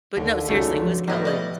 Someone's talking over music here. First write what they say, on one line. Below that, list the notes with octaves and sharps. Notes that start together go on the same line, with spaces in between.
But, no, seriously, who's Cal Williams?
D#2 D3
C#2 F#2 A3 D#4 F#4
F3 F#4 G4
A2 E3 F#3 G3 B3 D#5
G4 D5 D#5